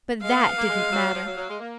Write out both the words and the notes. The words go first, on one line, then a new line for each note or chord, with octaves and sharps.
But that didn't matter!
G#3 F5
A#3
B3
A#3
G#3
F#3
F3
F#3
F#3
G#3
A#3